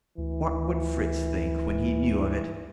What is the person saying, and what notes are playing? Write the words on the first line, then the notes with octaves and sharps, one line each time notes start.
What would Fritz think, when he knew of it?
D2 E3